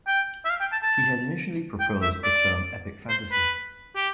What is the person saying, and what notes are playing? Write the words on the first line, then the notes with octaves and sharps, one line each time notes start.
He had initially proposed the term "epic fantasy".
G5
E5
F5
G5
A5
A5
G5
E5
D5
C5
B4
G4